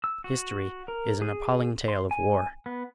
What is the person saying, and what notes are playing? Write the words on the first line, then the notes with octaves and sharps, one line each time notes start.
History is an appalling tale of war.
E6
F#4
A#4
G#4
C6
G#5
B3